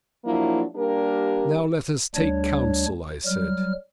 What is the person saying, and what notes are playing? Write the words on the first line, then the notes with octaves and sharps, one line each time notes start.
"Now let us take counsel," I said.
F3 F#3 A#3 D4 E4
G3 A#3 D4 G4 A#4
D2 G3 D4 C#5
F#3 G3 F6